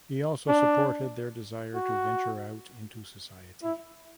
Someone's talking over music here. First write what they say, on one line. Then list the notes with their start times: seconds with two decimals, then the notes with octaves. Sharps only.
He also supported their desire to venture out into society.
0.49 D4
1.75 F#4
3.63 E4